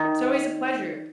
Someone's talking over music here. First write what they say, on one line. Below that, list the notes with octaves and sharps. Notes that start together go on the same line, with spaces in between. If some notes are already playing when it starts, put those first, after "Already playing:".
It's always a pleasure.
Already playing: D#3